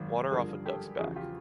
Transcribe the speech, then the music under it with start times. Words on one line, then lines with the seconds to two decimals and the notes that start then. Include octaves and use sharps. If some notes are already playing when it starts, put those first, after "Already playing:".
Water off a duck’s back.
Already playing: G#1 F#2 D#3
0.31 G1 G2 D3 F3 G#4 A#4
0.66 G4 A4
0.99 E2 C#3 F3 F#4 G#4
1.16 F4 G4